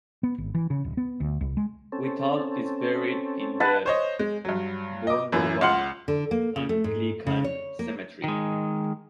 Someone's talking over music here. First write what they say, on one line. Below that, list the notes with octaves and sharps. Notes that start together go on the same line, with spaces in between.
Whittall is buried in the Bornova Anglican Cemetery.
B3
G#1
E3
C#3
D1
B3
D2
C2
G#3
C4 C#4 A4
B4 F#5 A5
C5 C#5 D#5
G#3
G2 F#3
D#5 D6
F#2 A2 E3
C#2 F4 F#5 C6 C#7 F#7
D3
A#3
C#3
A3
G#2
C#3
C#5
A#3
D#3 G#3